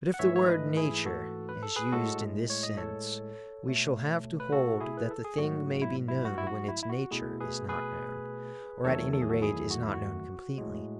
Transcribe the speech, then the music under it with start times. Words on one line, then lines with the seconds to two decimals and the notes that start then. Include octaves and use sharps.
But if the word 'nature' is used in this sense, we shall have to hold that the thing may be known when its 'nature' is not known, or at any rate is not known completely.
0.14 F#5
0.19 G#2 E3 A3 C#5 E5
0.36 C#5
0.48 B4 D#5
0.77 E4 G#4
1.05 F#4 A4
1.49 B4
1.63 A4
1.76 G#4 B4
1.92 A2 G#3 F#4 A4
2.50 C#5
2.63 D#5
2.77 A4 C#5
3.65 B2 A3
4.40 B4
4.52 F#4 A4
4.80 E4 G#4
4.97 B4
5.11 A4
5.25 G#4
5.38 G#2 F#3 A3 F#4
5.82 E4
6.08 E4
6.25 F#4
6.38 E4
6.47 F#4
6.68 E4
6.83 E4
6.89 F#4
7.11 B2 A3 E4 G#4
7.40 G#4 B4
7.69 G#4 B4
8.84 E2 D#3 F#3 A3 A4 C#5
9.13 A4
9.22 G#4
9.29 F#4 A4
9.42 E4 G#4
9.71 F#4
9.83 E4
9.94 F#4
10.58 A2 G#3